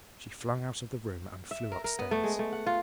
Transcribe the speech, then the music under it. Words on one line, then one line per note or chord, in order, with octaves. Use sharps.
She flung out of the room and flew upstairs.
E5
A#4
A#4
B3
A3
G#3
A3
F#5
F4